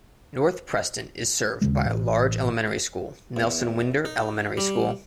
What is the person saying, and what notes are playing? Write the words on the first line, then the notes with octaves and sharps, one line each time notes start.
North Preston is served by a large elementary school, Nelson Whynder Elementary School.
D#2 C#3 G#3
A1
E2
D#4
G3